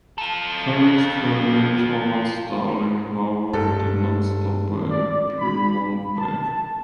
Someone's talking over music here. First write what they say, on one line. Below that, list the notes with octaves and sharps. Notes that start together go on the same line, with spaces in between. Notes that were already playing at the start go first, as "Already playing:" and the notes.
Ferries travelling towards Darling Harbour did not stop at Pyrmont Bay.
F4 A4
G2 A4
D5
B5
A5